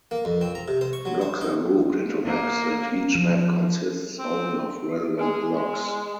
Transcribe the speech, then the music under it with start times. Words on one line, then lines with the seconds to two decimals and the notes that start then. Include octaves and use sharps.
Blocks are grouped into "maps", and each map consists only of relevant blocks.
0.11 A#3
0.25 F2
0.41 C4
0.55 A#5
0.68 C3
0.81 C5
0.93 C#6
1.05 F#3
1.21 C5
1.41 D#4
2.25 A#3
3.15 F3
4.19 C4
5.18 G#3 G#4
5.54 G#3